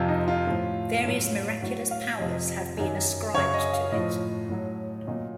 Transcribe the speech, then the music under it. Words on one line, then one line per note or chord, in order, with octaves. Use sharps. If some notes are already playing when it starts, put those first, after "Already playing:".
Various miraculous powers have been ascribed to it.
Already playing: F2 C3 F3 F4
D#4
F4
A2 F3
A2 F#3
A2 F#3 F#4
F5
F2 C3 F3 D#5
F#2 D#3 F#3
F#2 C#3 F#3 C#5
D#5
F5
A2 F3 D#5
A2 F#3
A#2 F#3 D#5